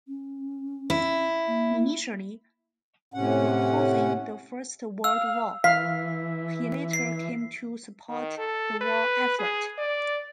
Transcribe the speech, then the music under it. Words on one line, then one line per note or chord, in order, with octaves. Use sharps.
Initially opposing the First World War, he later came to support the war effort.
C#4
E4
A#3
A2 C3 C#4 F#5
F5 E6
E3 F5 B6
C7
D#3
A4
B4
G#4
D5